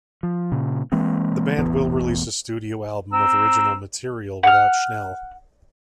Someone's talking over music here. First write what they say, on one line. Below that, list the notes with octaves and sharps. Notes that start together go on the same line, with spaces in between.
The band will release a studio album of original material without Schnell.
F3
A#2 C#3
E3 G#3 A#3 C4
E1 A1 E3 B3
C4 A#5 E6
F#5 F6